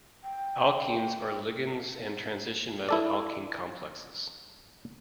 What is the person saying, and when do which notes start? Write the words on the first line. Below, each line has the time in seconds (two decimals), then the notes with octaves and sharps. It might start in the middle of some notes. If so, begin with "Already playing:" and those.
Alkenes are ligands in transition metal alkene complexes.
0.24 G5
2.89 E4 A4 D5